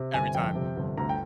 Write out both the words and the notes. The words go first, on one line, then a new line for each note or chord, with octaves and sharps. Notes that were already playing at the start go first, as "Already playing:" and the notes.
every time.
Already playing: C3
G1 G#5
F2 G5
C3
G1
D2 A#5
G5